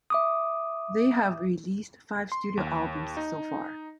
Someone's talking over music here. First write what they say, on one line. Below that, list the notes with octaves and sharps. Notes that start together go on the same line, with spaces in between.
They have released five studio albums so far.
E5 D6 D#6
C6
D#2
D#4